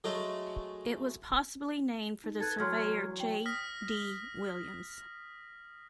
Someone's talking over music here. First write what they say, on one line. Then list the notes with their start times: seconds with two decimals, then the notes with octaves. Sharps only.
It was possibly named for the surveyor, J. D. Williams.
0.04 F#3 G#3 A3
2.24 D#4
2.40 A4 B4 F#6 G#6 A6
2.58 E2 F#3 C6 F6 G#6
3.20 G5
3.46 D#6 F6 A#6 B6